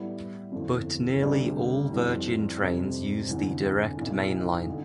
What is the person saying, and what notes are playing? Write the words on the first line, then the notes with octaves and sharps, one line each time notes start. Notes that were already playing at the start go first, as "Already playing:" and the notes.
But nearly all Virgin trains use the direct main line.
Already playing: A2 G3 B3 E4
G1 F2 E3
D2 C3 G3 D4
F2 E3 G3
F1 F2 C3 G3 C4
F1 E2 D3
B1 A2 E3
D3